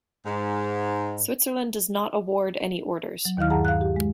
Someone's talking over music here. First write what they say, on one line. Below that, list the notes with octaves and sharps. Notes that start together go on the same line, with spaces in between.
Switzerland does not award any orders.
G#2
F#3
D#2 D#3 E4 F5 F6
G2 G#4 F#5 A5 A#5
F5 F#6
G4
G#3